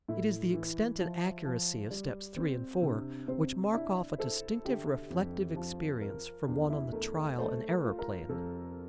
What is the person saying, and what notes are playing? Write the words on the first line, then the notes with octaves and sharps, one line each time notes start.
It is the extent and accuracy of steps three and four which mark off a distinctive reflective experience from one on the trial and error plane.
A2 E4
E3
F3
F3
G3
C4
C3 D4
C3 C4
D4 E4
A4 C5
D3 G4
F2
F3
A#4
E2 D4
E4
A3 A#4
A#4
A3 C5
A#4
F4
A#4
F2 A4